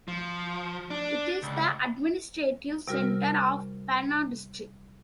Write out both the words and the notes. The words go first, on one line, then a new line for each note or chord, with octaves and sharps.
It is the administrative center of Panna District.
F3
D4
C#2
C3 G3 F#4 A#4 F6